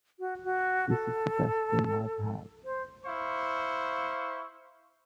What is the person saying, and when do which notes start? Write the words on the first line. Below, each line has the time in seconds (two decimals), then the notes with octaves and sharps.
This is the best thing I have had.
0.19 F#4
0.44 F#4
0.89 A4
2.65 C5
3.06 E4 C5 F5 C#6